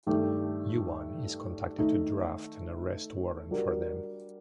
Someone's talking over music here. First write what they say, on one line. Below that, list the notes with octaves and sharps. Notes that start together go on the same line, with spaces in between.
Yuan is contacted to draft an arrest warrant for them.
G2 D#3 A3 D4 G4
D#3 A3 D#4
G3 D4 F#4 A#4